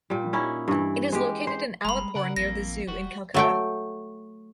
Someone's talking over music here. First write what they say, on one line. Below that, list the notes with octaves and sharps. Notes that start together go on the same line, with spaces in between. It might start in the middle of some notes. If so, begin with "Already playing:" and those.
It is located in Alipore, near the zoo, in Calcutta.
A#2 G3
C#4 D#4 E4
G2 E3
G#3 G4
C5
F#1 G3 G#3 A#5 B5
C#3 A#4 F#5
A1 F2 A#3 A#6
E1 G3 F#4
F#3 A3 G5